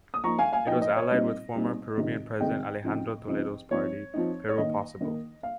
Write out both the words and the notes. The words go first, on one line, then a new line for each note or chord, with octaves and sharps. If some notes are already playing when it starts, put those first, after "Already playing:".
It was allied with former Peruvian president Alejandro Toledo's party, Peru Possible.
D#6
F3 A#3 D#4 A#5 C#6
F5 G#5
F5 G#5
F3 A#3 D#4 D#5 G5
D#5
C#5
A#2 G3 C4 D#4 D#5
A#2 G3 C4 D#4
C3 D#3 G#3 C4 D#4
C3 D#3 G#3 C4 D#4 D#5 G5
C#3 F3 C4 D#4
C#3 F3 C4 D#4
F3 C4 D#4 C#5
F3 C4 D#4
C#5
D#3 A#3 D#4 D#5
D#3 A#3 D#4
F5